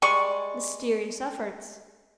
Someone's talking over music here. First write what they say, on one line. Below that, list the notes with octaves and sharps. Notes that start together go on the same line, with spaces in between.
Mysterious efforts!
G3 G#3 D5 C#6